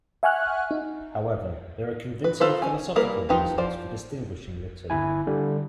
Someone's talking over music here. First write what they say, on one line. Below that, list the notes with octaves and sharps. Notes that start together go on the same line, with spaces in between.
However, there are convincing philosophical reasons for distinguishing the two.
E5 F#5 G#5 C#6 F6 F#6
D#4
B4
D#4 F4 A4 B4 C5
C#4 G#5
G3 A#3 E4 A#4 B4
F3 D#4 G4 B4
F3 C5 D5
G1 E4 G#5
D3 G3